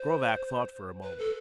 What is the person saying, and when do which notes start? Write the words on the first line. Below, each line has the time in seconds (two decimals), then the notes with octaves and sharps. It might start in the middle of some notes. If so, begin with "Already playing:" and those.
Krovac thought for a moment.
Already playing: C5
1.03 B4
1.19 A4